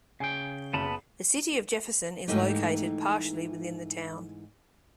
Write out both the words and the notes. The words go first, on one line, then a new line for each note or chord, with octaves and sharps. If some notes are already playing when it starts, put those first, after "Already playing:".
The city of Jefferson is located partially within the town.
C#3 G5 G#5 C7
F#1 B3 A5 B5
G#2 E3 A3 D#4 G4